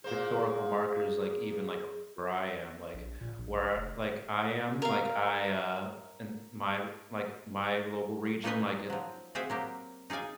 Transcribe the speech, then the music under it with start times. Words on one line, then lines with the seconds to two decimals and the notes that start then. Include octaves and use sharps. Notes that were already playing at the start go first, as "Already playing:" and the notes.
historical markers, like, even, like, around where I am, like where, like, I am, like I, uh and my r like, my local region, like, it
0.04 A#2 A#3 G#4 C5
2.94 A#1
3.21 A#2
3.38 A#1
3.76 F1
4.82 A#4 F5
8.44 A#3 C#4 D#4 B4 D#5 G#5
8.90 F3 F#3
9.35 C4 F#4 G#4 C5 E5 F5
9.50 F#3 A#3 G4
10.10 D#4 G#4 D5 F5 G#5